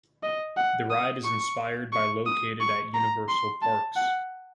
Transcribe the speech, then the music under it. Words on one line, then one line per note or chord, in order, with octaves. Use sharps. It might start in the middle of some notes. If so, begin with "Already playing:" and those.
The ride is inspired by located at Universal Parks.
D#5
F#5
D#6
C#6
C#6
D#6
C#6
A#5
C6
A5
F#5